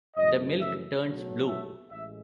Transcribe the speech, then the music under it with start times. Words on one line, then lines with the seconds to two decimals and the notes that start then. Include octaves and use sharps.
The milk turns blue!
0.16 F#2 C#3 E3 A3 D#5
0.59 E5
1.04 B1 B2 F#3 A3
1.48 E5
1.90 A1 A2 G#3 E5